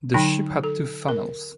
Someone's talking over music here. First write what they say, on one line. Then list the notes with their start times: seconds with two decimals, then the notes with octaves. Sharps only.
The ship had two funnels.
0.14 D3 F#3 D#4 G5 B5
0.64 A4
1.09 A#4